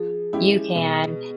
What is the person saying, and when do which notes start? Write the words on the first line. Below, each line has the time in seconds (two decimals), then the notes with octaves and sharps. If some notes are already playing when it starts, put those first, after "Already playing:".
you can
Already playing: F3 G#4
0.33 G#3 C#4 E4 G4
0.75 B2